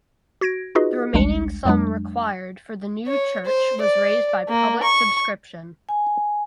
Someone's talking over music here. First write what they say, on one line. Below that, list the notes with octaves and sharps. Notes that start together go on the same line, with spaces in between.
The remaining sum required for the new church was raised by public subscription.
F#4 G#6 A#6 D7
D#4 F4 F#4 G#4 B4 D#5
A1 D2 G3 G#3 D4 C#7
F2 F#3 G#3 D4
C#5
C5
D5
A#3
C#6
G#5